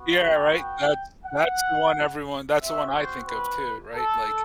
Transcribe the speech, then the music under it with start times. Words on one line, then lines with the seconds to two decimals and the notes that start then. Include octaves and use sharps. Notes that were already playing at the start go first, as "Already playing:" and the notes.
Yeah, right, that's that's the one everyone that's the one I think of too, right? Like
Already playing: B3 F#4
0.24 G5
0.57 G5
1.25 F#5
2.60 C4 F#4 E5
2.94 C5
3.28 B4
3.95 A4